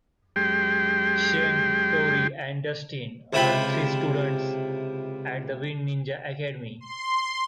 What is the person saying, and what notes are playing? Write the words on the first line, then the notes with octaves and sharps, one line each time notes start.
Shane, Tori and Dustin are three students at the Wind Ninja Academy.
F#2 G#3 G4 G5 C6
C#2 C3 E4 F4 G5 B5
C6